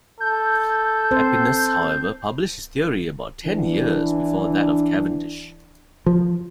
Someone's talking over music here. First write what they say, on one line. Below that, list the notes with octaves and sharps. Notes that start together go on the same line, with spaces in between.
Aepinus however published his theory about ten years before that of Cavendish.
A4 G6
C4 C5
E3 D4
F3